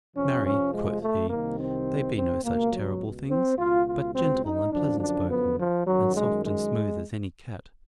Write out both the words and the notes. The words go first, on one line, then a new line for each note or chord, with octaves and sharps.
"Marry!" quoth he, "they be no such terrible things, but gentle and pleasant spoken, and soft and smooth as any cat."
F2 C3 F3 C#4
C#4
G#3
A3
C2 C3 D#3 A#3
C4
C4
C#2 B2 A#3
F#3
C4
C#2 B2 F4
F4
C4
D#4
F#2 D3 F3 D4
D4
B3
F3
F#2 D#3 F#3
G#3
G#3